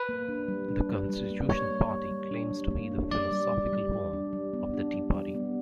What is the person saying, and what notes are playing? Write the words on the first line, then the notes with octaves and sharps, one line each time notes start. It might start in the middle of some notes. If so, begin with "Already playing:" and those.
The Constitution Party claims to be the "philosophical home" of the Tea Party.
Already playing: B4
A#3
D4
G3
D4
G3
G3
A#3
G3 C#5
A#3
G3
G3
D4
G3
A#3
D4
G3 D5
G3
G3
G3
G3
D4
G3
B3
D4
G3
G3
B3